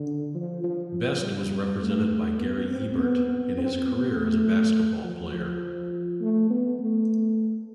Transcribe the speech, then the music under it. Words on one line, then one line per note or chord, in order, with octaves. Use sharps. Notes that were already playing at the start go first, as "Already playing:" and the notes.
Best was represented by Gary Ebert in his career as a basketball player.
Already playing: D3
F3
F3
G3
A3
B3
C4
B3
B3
C4
B3
A3
F3
F3
A3
B3
A3